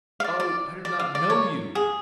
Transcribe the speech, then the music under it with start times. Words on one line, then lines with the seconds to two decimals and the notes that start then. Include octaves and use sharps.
"Oh, I do not know you!"
0.20 F5
0.24 D5
0.40 D5
0.85 D5
1.00 F5
1.15 D5
1.30 C#5
1.75 G#4